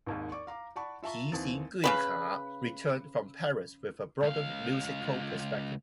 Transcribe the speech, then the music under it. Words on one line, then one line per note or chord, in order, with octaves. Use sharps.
Pixinguinha returned from Paris with a broadened musical perspective.
G#1 D#2 G#2
D5 C#6 D6
F5 A#5 D6
D5 F#5 A5 B5 C#6
F4 E5 A5 A#5 C#6
D#2 E3 C4 D#6 A6
C#3 G3 B4
C#2 F5